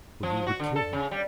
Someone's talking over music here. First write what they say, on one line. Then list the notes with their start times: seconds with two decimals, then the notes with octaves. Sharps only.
"For ye would kill him."
0.23 F3
0.47 F#4
0.60 D3
0.76 A4
0.93 C#3
1.11 G3